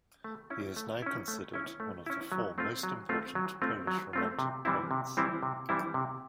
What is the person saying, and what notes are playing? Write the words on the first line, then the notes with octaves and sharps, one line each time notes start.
He is now considered one of the four most important Polish Romantic poets.
A3
C#4 E4
A3
C#4 E4
A3
C#4 E4
A3
C#4 E4
F#3
A3 C4 F4
F#3
A3 C4 F4
F#3
A3 C4 F4
F#3
A3 C4 F4
C3
E3 G3 C4 E4
C3
E3 G3 C4 E4
C3
E3 G3 C4 E4
C3